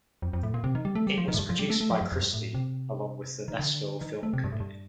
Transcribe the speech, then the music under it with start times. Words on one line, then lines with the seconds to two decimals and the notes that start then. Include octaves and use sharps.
It was produced by Christie along with the Nestor Film Company.
0.22 F2
0.33 F2
0.43 A2
0.54 A#2
0.64 C3
0.75 D#3
0.85 G3
0.95 A3
1.07 G3
1.18 F3
1.28 D#3
1.34 A2
1.39 G2
1.49 F3
1.59 G3
1.70 A3
1.81 A3
1.91 F3
2.01 G2
2.12 F2
2.22 G2
2.33 A2
2.54 C3
3.48 D#3
3.59 D3
4.01 D#3
4.23 A3
4.33 C3
4.44 G2
4.52 A2
4.60 G2